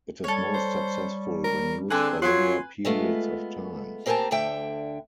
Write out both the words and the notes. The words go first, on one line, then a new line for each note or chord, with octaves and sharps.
It is most successful when used for longer periods of time.
G3 A4 C#5
C5
A#4
D3 C4 D4 G#4 B4
F#3 F4 B4 G#5 C6
G#3 A3 B3 F4
A#3 C4 G4 A#4 G#5 A5
D2 D3 E5 G5